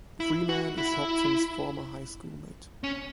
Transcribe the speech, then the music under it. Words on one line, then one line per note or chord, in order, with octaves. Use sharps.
Freeman is Hodgson's former high school mate.
E4
F#4
E4
C#4